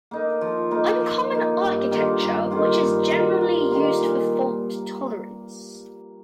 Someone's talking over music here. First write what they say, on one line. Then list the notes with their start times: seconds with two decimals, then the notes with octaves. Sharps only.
Uncommon architecture which is generally used for fault tolerance.
0.11 A#3 D#4
0.41 F3
0.71 A#3 D#4
1.00 F3
1.31 A#3 D#4
1.61 G2
1.91 D#3 A#3 F4
2.22 G2
2.51 D#3 A#3 F4
2.81 G2
3.11 D#3 A#3 F4
3.41 G2
3.71 D#3 A#3 F4
4.01 A#2